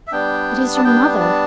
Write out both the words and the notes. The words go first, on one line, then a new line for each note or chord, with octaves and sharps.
"It is your mother!"
E5
G3 B3 D4 G5
A5
G3 B3 D4 G5
A5